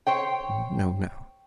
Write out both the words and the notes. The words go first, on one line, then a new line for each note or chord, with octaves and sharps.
"No, no."
C5 C#5 G5